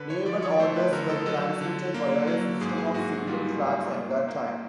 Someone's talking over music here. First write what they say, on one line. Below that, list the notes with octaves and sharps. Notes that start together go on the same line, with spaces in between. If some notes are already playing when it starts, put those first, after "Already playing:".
Naval orders were transmitted via a system of signal flags at that time.
Already playing: D3 B4
C#5
F3 D5
C#5
A3 C5
B4
D3 A#4
A4
F#3 A4
D3
A#3
F#3
G#2 G#4
G#4
G#2 F#4
F#4
G3 F4
G#2
A#3
A#3